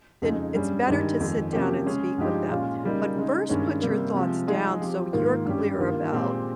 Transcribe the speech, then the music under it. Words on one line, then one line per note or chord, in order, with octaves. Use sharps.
then it's better to sit down and speak with them. But first, put your thoughts down so you're clear about
F2 C#3 G#3 D#4
G2 G3 C#4 G#4
G2 D#3 G#3 D#4 G4
F2 D#3 G#3
C3 F3 A#3 C#4 G4
C#3 G#3 C#4 G#4
G2 F3 G#3 D#4 G4
A#2 G#3 C#4 F4
C#3 G3 A#3 D#4
C#3 G#3 D#4
G2 D#3 G#3 C#4
C3 G3 A#3
C3 F3 G#3
F3 G#3 D#4 G#4
F3 C4 G4
G#2 D#3 A#3 F4
G2 G3 C#4 G4
G2 D#3 A#3 F4
A#2 G#3 C4 G4